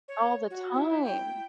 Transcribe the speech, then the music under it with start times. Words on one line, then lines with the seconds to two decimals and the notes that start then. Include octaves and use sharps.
All the time.
0.08 C#5
0.50 F#4
0.74 E4
1.05 G5